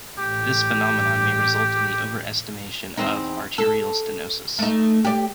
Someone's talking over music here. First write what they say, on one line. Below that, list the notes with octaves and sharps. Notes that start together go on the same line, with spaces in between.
This phenomenon may result in the overestimation of arterial stenosis.
A1 G4
E2 C4 D#4
A4
A3 D#4
G4 D5